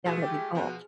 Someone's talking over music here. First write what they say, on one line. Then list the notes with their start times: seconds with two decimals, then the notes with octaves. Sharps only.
down to the Gulf
0.05 B2 A3 F4 G#4
0.22 G#3 G4
0.55 B2 F3